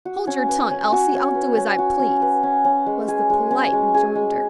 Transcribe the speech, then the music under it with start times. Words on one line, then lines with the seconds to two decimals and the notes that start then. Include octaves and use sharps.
"Hold your tongue, Elsie; I'll do as I please," was the polite rejoinder.
0.05 F#4
0.27 C#4
0.49 B4
0.71 C#4
0.92 F#4
1.14 C#4
1.35 B4
1.57 C#4
1.78 F#4
1.99 C#4
2.22 B4
2.43 C#4
2.65 C#4
2.86 G#3
3.08 G#4
3.30 G#3
3.51 C#4
3.73 G#3
3.94 G#4
4.15 G#3